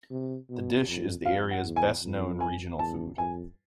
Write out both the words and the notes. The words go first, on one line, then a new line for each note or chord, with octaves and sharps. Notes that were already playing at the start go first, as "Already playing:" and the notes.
The dish is the area's best-known regional food.
C3
B2
F2
F2 F5
F#5
E2
G#5
F2
G#5
E2 A5
F2 G#5